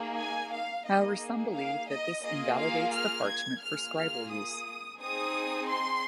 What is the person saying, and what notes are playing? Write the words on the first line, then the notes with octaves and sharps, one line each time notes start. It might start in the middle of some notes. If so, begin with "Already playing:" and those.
However, some believe that this invalidates the parchment for scribal use.
Already playing: A#3 D#4 G#4
G#5
F5
A#3 D#4 G#4 D#5
F5
D#5
A#3 F4 G#4 D#5
F5
F6
G#6
A#3 F4 G#4 F6
F6
D#6
C4 D#4 G#4 D#6
C6